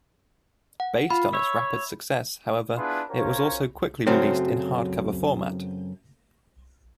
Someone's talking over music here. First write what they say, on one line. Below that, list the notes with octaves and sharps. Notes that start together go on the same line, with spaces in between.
Based on its rapid success, however, it was also quickly released in hard-cover format.
F#5
F4 B5
C#5 E5
B3 D4 E4 F4 G#4 B4
C#4 F4 F#4 A#4 C5 C#5
F#2 C#3 F#3 A3 C4